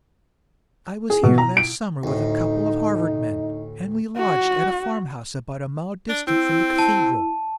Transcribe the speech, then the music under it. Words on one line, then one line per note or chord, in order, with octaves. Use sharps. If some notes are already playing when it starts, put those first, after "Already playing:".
I was here last summer with a couple of Harvard men, and we lodged at a farmhouse about a mile distant from the cathedral.
G#4
B2
A#5
D7
D2 A2 D#4
F#4
D4
C4 E4
A5